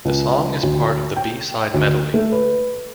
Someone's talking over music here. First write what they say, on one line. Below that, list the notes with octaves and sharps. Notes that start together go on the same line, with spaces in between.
The song is part of the B-side medley.
C#2
D2
G5
D2
A3
B4